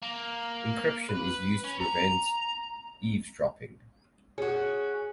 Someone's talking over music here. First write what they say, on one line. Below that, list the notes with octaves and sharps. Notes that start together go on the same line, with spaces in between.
Encryption is used to prevent eavesdropping.
A#3
B4
C#4
A#5
C#4 F#4 G#4